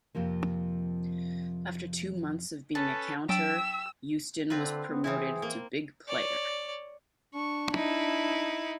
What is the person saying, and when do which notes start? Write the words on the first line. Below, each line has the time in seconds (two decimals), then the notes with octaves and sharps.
After two months of being a counter, Uston was promoted to "Big Player".
0.15 F2 C3 F3 A#3
2.75 C#4 A4 B4 A5
3.29 F#3 D4 E5 G5 A5 C#6 E6
4.50 D3 C4 F4 B4
4.89 B3
5.04 E3 C4 E4 G#4
5.42 A#3
6.08 C#5 D5
7.34 D4 C#6
7.73 D#4 E4